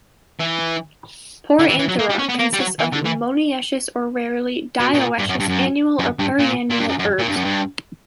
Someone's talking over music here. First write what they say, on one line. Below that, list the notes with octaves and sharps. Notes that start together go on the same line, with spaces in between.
"Poranthera" consists of monoecious or rarely, dioecious annual or perennial herbs.
E3
D3
E3
E3
F#3
A#3
G3
C#4
B3
A#3
G3
F#3
E3
D3
E3
B2
B2
A#2
G2
F#2
G2
F#2
F#2
G2
A#2
A#2
G2
F#2
F#2
A#2
G2
F#2
G2